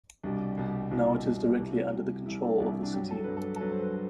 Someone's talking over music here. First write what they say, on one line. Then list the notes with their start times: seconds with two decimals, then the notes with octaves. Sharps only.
Now it is directly under the control of the city.
0.23 C2 B2 G3 D4
0.57 C2 B2 G3
0.91 C2 B2 G3 E4
1.25 C2 B2 G3
1.58 C2 C3 G3 E4
1.68 F#4
1.75 E4
1.93 C2 C3 G3
2.26 C2 C3 G3 E4
2.43 D4
2.59 C2 C3 G3 E4
2.72 E4
2.83 D4
2.94 G2 F#3 G4
3.11 A4
3.24 G2 F#3 B4
3.37 A4
3.56 A4
3.61 G2 F#3 B4
3.72 C5
3.83 B4
3.94 A4